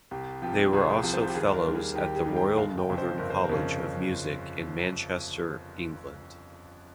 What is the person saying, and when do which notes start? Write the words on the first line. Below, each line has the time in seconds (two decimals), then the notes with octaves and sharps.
They were also Fellows at the Royal Northern College of Music in Manchester, England.
0.11 C2 G4
0.42 C3 F3 G4
0.73 C2 G#4
1.03 C3 F3
1.14 C5
1.28 G4
1.34 D#2 G#4
1.54 A#4
1.65 D#3 G3
1.75 G#4
1.95 D#2 G4
2.16 G#4
2.26 D#3 G3
2.36 G5
2.57 G1 F5
2.78 G5
2.88 F2 C#3
2.98 C5
3.18 G1 A#4
3.30 C5
3.44 A#4
3.49 F2 C#3